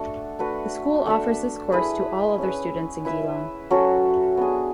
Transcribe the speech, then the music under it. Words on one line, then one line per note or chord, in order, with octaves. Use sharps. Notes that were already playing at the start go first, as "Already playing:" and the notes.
The school offers this course to all other students in Geelong.
Already playing: A3 D4 F#4 A4
A3 D4 F#4 B4
A3 D4 A4 E5
E4 G#4 B4
C#4 G#4 B4
E4 B4 E5
F#3 C#4 F#4 A4
B3 D4 G#4